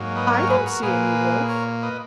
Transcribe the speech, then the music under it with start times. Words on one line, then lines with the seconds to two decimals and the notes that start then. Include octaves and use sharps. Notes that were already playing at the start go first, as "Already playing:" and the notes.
'I don't see any wolf.'
Already playing: G#2 F#3 A#3
0.16 B4 D#5
0.33 A#4 C#5
0.49 G#4 B4
0.66 F#4 A#4
0.83 A#2 A#3 G#4 B4
1.49 A#4 C#5
1.82 B4 D#5